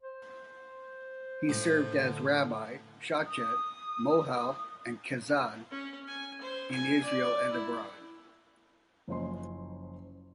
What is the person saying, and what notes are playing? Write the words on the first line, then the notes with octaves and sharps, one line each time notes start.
He has served as a Rabbi, Shochet, Mohel and Chazzan in Israel and abroad.
C5
A2
D3
D#6
C#4
G#5
C5
G#5
D5
E4
F#1 F3 C#4 C5 D#5 C6